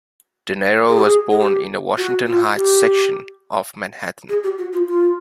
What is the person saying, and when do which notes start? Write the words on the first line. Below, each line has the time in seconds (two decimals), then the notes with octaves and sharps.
Dinero was born in the Washington Heights section of Manhattan.
0.88 G#4
0.96 G4
1.04 G#4
1.31 G#4
1.40 G4
1.98 F#4
2.27 F4
2.56 G4
4.29 G#4
4.43 G4
4.58 F#4
4.73 F4
4.87 F4